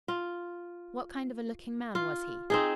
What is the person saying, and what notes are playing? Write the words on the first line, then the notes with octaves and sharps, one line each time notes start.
"What kind of a looking man was he?"
F4
F4
C4 D#4 G#4